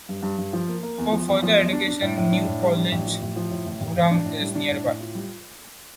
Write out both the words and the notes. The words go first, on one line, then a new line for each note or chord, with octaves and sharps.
For further education, New College, Durham is nearby.
G2
G2
G2
F3
A#3
A#3
E2
F3
E2
F3
E2
D4
D4
A2
A2
D4
A2
G3
D4
A1
F3
A1
F3
A2
A1
A1
A1
D4
A2
G3
D4
A2
A2
F4
G3